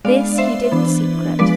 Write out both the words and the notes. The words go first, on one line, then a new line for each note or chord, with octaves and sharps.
This he did in secret.
G#3 B3 D4 D5 F5
C5 E5
E3 B3 D4
F3 G#3 B3 D4 B4 D5